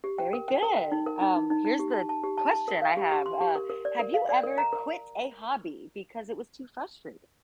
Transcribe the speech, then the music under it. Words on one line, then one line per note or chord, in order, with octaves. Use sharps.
Very good, um, here's the question I have, uh, have you ever quit a hobby because it was too frustrating?
G4
G5
A#4
G5
A#4
G5
D#4
A#4
D#4
D#4
D#4
D#4
G4
A5
A5
G4
A5
A5
A#4
F5
G4
G4
C6
G4
A#4
A#4
D5
A#4
F5
D5
A#4
A#5
A#4